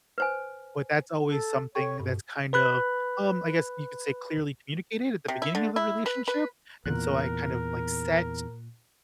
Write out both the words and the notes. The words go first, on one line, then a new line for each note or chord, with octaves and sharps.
but that's always something that's kind of, um I guess you could say clearly communicated at the beginning of the relationship? And so I kind of, like, set
B4 C5 G#5
A4
A4 C#5 G5 C#6
G2 B2
B4 B5 F#6
C3
E4
D3
E4
B4
B4
E2 A#2 A#4 F#6